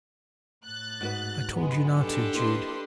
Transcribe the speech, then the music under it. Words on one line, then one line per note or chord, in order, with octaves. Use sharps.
"I told you not to, Jude!"
A2 F#6 A6
G#2 F#4 B4
F#3 G#3 B3
D4 G4 A4
A#3 E4 B4 D#5 C6